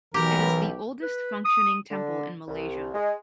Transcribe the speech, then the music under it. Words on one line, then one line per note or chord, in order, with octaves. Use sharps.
It is the oldest functioning temple in Malaysia.
B1 E3 G4 A#4
B4
D#6
D3
C2
G#3